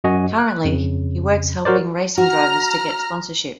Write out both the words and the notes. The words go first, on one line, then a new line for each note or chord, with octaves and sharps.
Currently, he works helping racing drivers to get sponsorship.
F#2 F#4 D#5 G#5
F#6
F2 C#3
F#3 F#4 A#4 C5 D5
F#4 A#5 F6